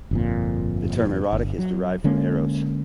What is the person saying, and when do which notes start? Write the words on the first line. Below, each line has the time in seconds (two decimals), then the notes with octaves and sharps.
The term "erotic" is derived from "eros".
0.11 G1 F2 A#2
1.33 G1
1.58 F#3
2.04 D3 G#3 A#3 C#4